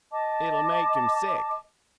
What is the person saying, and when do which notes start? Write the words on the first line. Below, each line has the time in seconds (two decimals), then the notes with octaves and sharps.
"It'll make him sick."
0.11 D#5 A5 D6